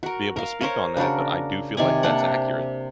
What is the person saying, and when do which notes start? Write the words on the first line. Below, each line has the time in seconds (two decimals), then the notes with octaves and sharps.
be able to speak on that, but I do feel, like, that's accurate.
0.03 F#4 A#4
0.36 A#4 F5
0.61 A#4 C5 C#5 F5
0.97 C#3 D4 F#4 A#4
1.77 C3 D#3 D5 G#5
2.03 C3 A#3 D4 F#5